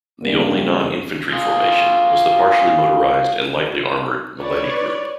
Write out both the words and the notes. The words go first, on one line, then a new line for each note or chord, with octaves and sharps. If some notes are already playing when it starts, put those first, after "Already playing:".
The only non-infantry formation was the partially motorised and lightly armoured Maletti Group.
E2 C#3 G3 A#3
F4 G#4
B4 C#5 D5